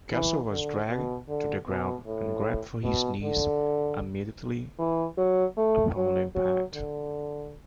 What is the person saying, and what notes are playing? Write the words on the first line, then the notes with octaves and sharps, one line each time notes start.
Cassel was dragged to the ground and grabbed for his knee immediately upon impact.
E3
D3
B2
D3
B2
A2
B2
D3
E3
F#3
A3
F#3
F#3
D3